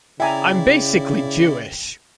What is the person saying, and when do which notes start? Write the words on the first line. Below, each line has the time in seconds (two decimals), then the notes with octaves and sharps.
I'm basically Jewish.
0.20 C#3 E4 D5 E5 G5 G#5 A#5